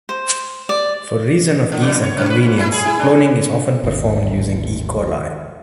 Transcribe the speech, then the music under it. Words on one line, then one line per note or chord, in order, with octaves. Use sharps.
For reason of ease and convenience, cloning is often performed using "E. coli".
C5
D5
D3
F2
C#5
F#2
B4
G#2
E4
G#4
E4
D4
G#1 D#2 D3 D#3